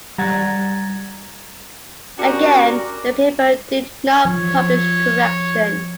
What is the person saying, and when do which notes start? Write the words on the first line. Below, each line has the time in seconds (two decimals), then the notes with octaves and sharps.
Again, the paper did not publish a correction.
0.18 G3 F#5 A#5 G#6 A6
2.19 C#4 D4 F#4 G4 A#4 A#5
4.25 F3 C#5